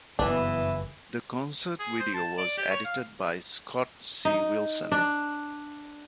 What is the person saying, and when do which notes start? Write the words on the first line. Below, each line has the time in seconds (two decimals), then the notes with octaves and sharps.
The concert video was edited by Scott C. Wilson.
0.19 F#1 G2 E3 B3 D4
1.79 G#4
1.99 C5
2.14 A5
2.38 D5
2.57 G4
2.71 C#5
2.85 F5
4.25 D#4
4.92 D4